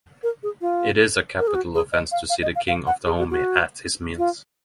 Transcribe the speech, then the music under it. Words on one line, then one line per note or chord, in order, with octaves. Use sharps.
It is a capital offense to see the king of Dahomey at his meals.
A#4
G#4
F4
A#4
G#4
F#4
G#4
D#5
F5
F5
D#5
F5
F5
F#5
G#4
F#4
F#4
F4